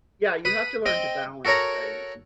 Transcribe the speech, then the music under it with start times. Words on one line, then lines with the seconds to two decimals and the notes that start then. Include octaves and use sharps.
yeah, you have to learn to balance things.
0.45 B4 D#6
0.86 C4 D#5 G5
1.45 F#4 A4 A#4 C#5 A#5